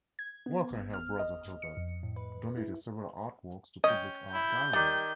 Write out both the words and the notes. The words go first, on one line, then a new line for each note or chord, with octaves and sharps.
Walker and her brother Hubert donated several artworks to public art galleries.
G#6
B3
G1
F6
D#5
C#7
F2
A2
B4
E4
C#4 D#5 G5
E4 G6
D#3 G3 G4 D5